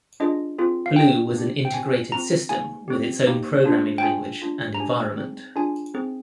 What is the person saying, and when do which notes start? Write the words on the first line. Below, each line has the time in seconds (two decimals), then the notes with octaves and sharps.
Blue was an integrated system with its own programming language and environment.
0.20 D4 F4 G#4 D#5
0.59 C4 F4 G#4
0.86 F5
0.96 D4 G#4 G5
1.35 A#3 D4 G4
1.65 G5
1.73 C4 G4 G#5
2.12 C4 F4 G#4 A#5
2.49 A#3 D#4 G#4 G#5
2.88 C4 G4
3.27 A#3 D#4 G4
3.64 A#3 D4 F4 G#4
3.98 G5
4.03 D4 F4 G#4 G#5
4.42 D4 F4 G#4
4.75 A#5
4.79 D4 G4 G#5
5.17 C4 D#4 G#4
5.56 D4 F4 G#4 G#5
5.94 C4 D#4 G#4